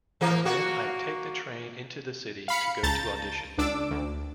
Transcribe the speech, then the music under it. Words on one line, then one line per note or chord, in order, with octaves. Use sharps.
"And then I'd take the train into the city to go to auditions".
E3 A#3 A#4
A#3 F#4
F5 B5 C#7
C#2 A5 A#5 G6 A6
C#2 D4 D6 E6
D2